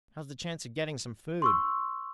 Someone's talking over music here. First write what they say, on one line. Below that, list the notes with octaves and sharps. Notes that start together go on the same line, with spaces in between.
"How's the chance of getting some food?"
C6 C#6 E6